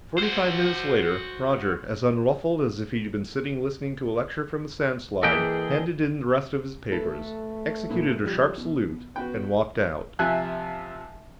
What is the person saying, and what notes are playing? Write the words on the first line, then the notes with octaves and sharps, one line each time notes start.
Forty-five minutes later, Roger, as unruffled as if he had been sitting listening to a lecture from a sound slide, handed in the rest of his papers, executed a sharp salute and walked out.
F#4 C5
E3 A#3 G#4 A4 B4 D#5 G5
A3 A4 B4
A#2 B3
F3 G3
B2
B3 F#4 B4 G5
C3 F3 E5 G#5 F#6